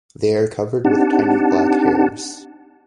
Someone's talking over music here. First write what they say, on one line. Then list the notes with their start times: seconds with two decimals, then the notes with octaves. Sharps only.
They are covered with tiny black hairs.
0.85 C4 D4 D#4 G4 F#5 A5